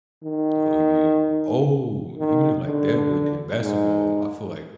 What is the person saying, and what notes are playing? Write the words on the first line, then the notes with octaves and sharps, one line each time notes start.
Oh, yeah Oh! Even in, like, that would in basketball, I feel like,
D#3
D#3
D3
G#2